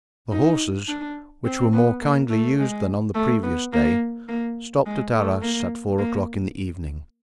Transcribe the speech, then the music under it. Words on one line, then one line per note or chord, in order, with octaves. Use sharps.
The horses, which were more kindly used than on the previous day, stopped at Arras at four o'clock in the evening.
D#4
D4
C4
B3
A#3
A3
G#3
A3
B3
A#3
A#3
G#3
A3
A#3
A#3